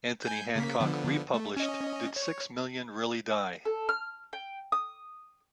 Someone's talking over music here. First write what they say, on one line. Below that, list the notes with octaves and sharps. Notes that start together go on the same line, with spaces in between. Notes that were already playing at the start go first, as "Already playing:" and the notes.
Anthony Hancock re-published Did Six Million Really Die?
G#5 G6
C#3 A#3 B6
D3 F3 B3
A3
C#4 D#5
C#5
A4
F6
G5
D#6